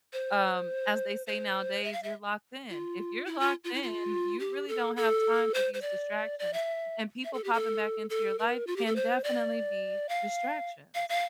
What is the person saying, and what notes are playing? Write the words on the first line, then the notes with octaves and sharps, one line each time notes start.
um, as they say nowadays, "You're locked in." If you're locked in, you really don't have time for these distractions, and people popping back into your life can definitely be distractions.
C5
C5
E5
F5
E5
F4
E4
F4
F4
E4
F4
G4
A4
A4
C5
C5
D5
D5
E5
E5
A4
G4
A4
A4
A#4
F4
G4
A4
C5
D5
F5
F5
F5